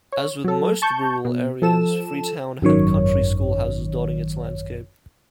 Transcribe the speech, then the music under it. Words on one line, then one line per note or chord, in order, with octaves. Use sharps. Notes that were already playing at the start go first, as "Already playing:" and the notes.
As with most rural areas, Freetown had country schoolhouses dotting its landscape.
C#5
F#3 A4
A5 C#6 G6
B2
F3 A4 E7
G#1 F#2 D#3 C#5